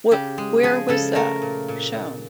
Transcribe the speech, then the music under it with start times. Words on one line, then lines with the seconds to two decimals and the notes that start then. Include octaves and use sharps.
What where was that shown?
0.11 C#3 G4
0.38 G#3
0.63 F3 G#4
0.89 C#3 A4
1.15 A3 A#4
1.42 A#2
1.68 A#2
1.93 A#2